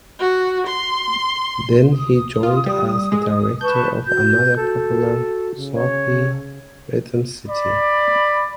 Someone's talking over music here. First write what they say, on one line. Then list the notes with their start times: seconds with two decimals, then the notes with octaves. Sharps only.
Then he joined as the director of another popular soapie "Rhythm City".
0.19 F#4
0.67 C6
1.92 D#6
2.43 F4
2.66 G3
3.12 G#3
3.61 B4 A5 C#6 G6
4.06 F#4 G6
4.56 F#4 A4
5.56 C#3
5.74 C#5
7.48 D5 B5